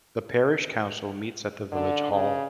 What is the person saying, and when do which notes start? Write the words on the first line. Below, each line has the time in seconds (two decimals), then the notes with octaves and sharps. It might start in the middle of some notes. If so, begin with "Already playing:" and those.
The parish council meets at the Village Hall.
1.72 D3
2.12 C#3